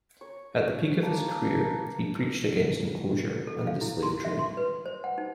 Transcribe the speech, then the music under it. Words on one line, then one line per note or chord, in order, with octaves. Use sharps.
At the peak of his career, he preached against enclosure and the slave trade.
C#5
A#3 D4 A5 A#5
A4
F5
E4
C6
E5
C6
B4
C5
F#5
D#4